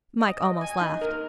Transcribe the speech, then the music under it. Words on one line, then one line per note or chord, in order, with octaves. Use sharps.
Mike almost laughed.
D#5
D#5
G#5
D#4
A#4